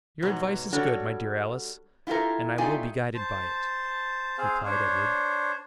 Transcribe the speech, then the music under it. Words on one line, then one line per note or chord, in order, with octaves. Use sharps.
"Your advice is good, my dear Alice, and I will be guided by it," replied Edward.
G#2 B2 F#3
G3 D4 F#4 A4 C#5
E4 F4 G4 A4 A#4
A3 D#4 F4 G4 D5 G#5
C5 A5
C4 G#4 C5 F5
D4 C5 C#5